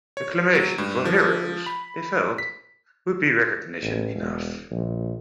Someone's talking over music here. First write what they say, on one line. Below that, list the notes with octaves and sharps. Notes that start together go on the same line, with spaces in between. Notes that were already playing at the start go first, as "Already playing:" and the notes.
Acclamation for heroes, they felt, would be recognition enough.
C#5
F#3
G2
F3
B5
B6
A1
E1
A#1